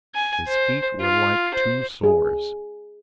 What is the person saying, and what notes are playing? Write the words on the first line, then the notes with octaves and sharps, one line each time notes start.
His feet were like two sores.
G#5
C5
F4
C5
G#4